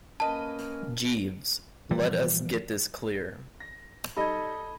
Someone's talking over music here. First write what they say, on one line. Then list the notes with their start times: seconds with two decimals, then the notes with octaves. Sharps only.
Jeeves, let us get this clear.
0.20 A#3 C#4 A#4 B4 D#5 A5
1.91 A#2 E3 F3 G3
3.60 A#6
4.16 G3 D#4 A4 D#5 B5 G#6